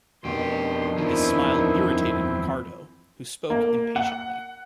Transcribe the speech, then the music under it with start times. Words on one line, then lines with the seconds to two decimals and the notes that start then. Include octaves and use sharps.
His smile irritated Ricardo, who spoke impatiently.
0.25 F2 B2 D4 D#4 G4 A#4 C6
0.98 E2 F3 C4 E4
3.50 A#3
3.96 F#5